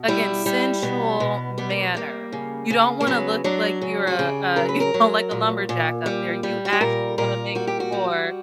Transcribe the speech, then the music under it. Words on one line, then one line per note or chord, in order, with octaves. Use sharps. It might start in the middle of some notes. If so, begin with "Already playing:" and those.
again, sensual manner. You don't wanna look like you're a a you know, like a lumberjack up there you actually wanna make more.
Already playing: B2
G3 E4
G3
B2 B3
B2
G3 B3
A#3
G3 A#3
C#3
C#3
A#3
F#3 B3
F#3 D4
C#3
F#4
C#3 G4
F#3 A#4
B4
A#4
F#3
A#2
A#2
G3
G3
F#4
G4
A#2 A#4
A#2 A#4
G3 F#4
G4
F#4
G3